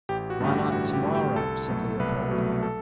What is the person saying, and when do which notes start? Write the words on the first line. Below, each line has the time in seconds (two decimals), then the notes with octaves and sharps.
"Why not to-morrow?" said Leopold.
0.09 A1 G4
0.30 F#4
0.40 G2 D3 A3 G4
0.52 F#4
0.72 A1 F#4
0.93 G4
1.04 G2 D3 A3
1.15 G4
1.36 C2 A4
1.68 B2 F#3 A3
2.00 C2 B4
2.31 B2 F#3 A3
2.63 A4